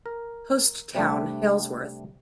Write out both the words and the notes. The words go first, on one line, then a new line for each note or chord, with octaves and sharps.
Post Town, Halesworth.
A#4
C3 G3 A3 D4